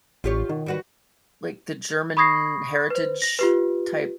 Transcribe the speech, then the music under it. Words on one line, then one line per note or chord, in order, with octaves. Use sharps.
like the German heritage type,
A1 F4 G4 C#5
B2 D#3
G3 F#4 B4
B5 C#6 D#6 G#6 A#6 C7
B4 C5
A#6
F4 G4 B4